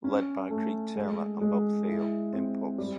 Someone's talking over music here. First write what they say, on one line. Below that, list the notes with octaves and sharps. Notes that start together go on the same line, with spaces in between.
Led by Creed Taylor and Bob Thiele, Impulse!
C#4
A3
G#3
G#3
E4
C4
G3